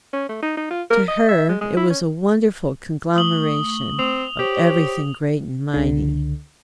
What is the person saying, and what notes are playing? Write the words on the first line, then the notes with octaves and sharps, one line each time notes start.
To her it was a wonderful conglomeration of everything great and mighty.
C#4
A3
D#4
D#4
F4
A#4
D#5
E5
G#3
G#3
E4
C#4
A3 C#6 D#6 F#7 G7
C4 F7
G4 C5 C#5 C#6
C#2 D3